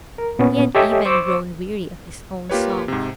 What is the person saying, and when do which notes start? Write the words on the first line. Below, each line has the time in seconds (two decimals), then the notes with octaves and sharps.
He had even grown weary of his own songs.
0.18 A#4
0.39 A#2 B3 C#4
0.75 G4 A4 C#5 D#5 E5 G#5
1.05 C5 C#6 D6 E6
2.50 A#3 F4 G4 B4 C#5
2.88 G#2 C3